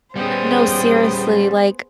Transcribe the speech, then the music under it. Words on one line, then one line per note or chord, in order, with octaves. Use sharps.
No, seriously, like
G3 B3 C#4 G#4 C5 G5 D#6